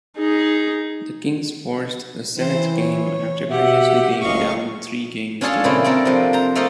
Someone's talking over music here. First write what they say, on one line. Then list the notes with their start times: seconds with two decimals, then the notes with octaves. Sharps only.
The Kings forced the seventh game after previously being down three games to one.
0.17 D#4 G#4
2.37 E3 C4 C5
2.78 C#5
3.50 B2 G4 E5 F#5
4.21 F#1 C#2 D#5 F5 C#6
5.41 C#4 D4 F4 G#4 A4 C#5
5.64 A#2 C#3 C4 C#4 E4
5.84 C4 D4 A4 A#4
6.05 C3 F3
6.33 C5 A#5
6.55 A3 A#3 A4 C5 D#5 F5